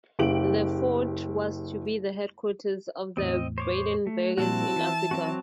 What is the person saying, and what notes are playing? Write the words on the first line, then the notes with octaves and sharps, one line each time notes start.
The fort was to be the headquarters of the Brandenburgers in Africa.
F#1 G4 D7 F#7
E2 A2 C4 D#5
C5 C#5 D6
A3
A#2 F3 G3 C4 E4 F#4 A5
E3 E5
F#3 C4 F#4